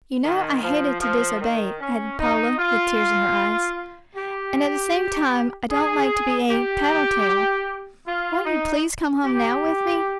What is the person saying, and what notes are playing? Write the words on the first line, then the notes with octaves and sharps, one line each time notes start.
"You know I hated to disobey," added Paula, with tears in her eyes, "and at the same time, I don't like to be a 'tattle-tale.' Won't you please come home now with me?"
D#3
F3
F3
D#3
C#4
D#4
F4
G4
G#4
G4
F4
D#4
G4